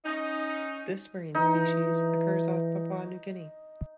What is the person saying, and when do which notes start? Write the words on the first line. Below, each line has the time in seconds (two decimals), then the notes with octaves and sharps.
This marine species occurs off Papua New Guinea.
0.04 C#4 D#4
1.35 E3 D#4